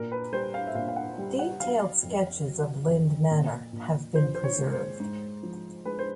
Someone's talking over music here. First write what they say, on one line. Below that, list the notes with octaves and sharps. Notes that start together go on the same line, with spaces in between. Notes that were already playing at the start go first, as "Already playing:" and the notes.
Detailed sketches of Linde Manor have been preserved.
Already playing: A#2 A#4
B4
G3 C5
F5
E5
A#2 F5
F5
F#5
G3
F#5
F#3 F5
F2
F#3
F2
A#2
A#2
F3 C5
C5
C#5
G#3
C5
G#2
F3
G#3 B4
C5